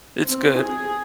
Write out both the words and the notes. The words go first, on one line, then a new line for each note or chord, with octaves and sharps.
It's good.
C4
G#4